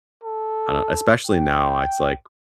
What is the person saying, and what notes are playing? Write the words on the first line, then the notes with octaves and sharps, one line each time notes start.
I don't Especially now, it's like,
A4
G5